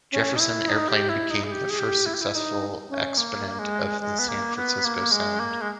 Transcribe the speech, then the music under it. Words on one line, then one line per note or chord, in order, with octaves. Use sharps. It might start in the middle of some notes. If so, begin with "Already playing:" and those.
Jefferson Airplane became the first successful exponent of the San Francisco Sound.
C#4
D#4
E4
D#4
G4
E4
D#4
G#4
G4
G#4
G4
E4
G4
E4
D#4
C#4
A#3
G#3
G#3
B3
A#3
B3
A#3
G#3
A#3
G#3